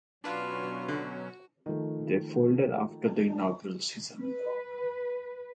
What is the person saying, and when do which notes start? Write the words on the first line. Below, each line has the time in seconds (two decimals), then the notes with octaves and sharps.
They folded after the inaugural season.
0.24 B2 F#3 C#4 D4 F4 F#4 B4 F5
0.88 D3 F#4
1.66 D#3 F3 A3
4.21 B4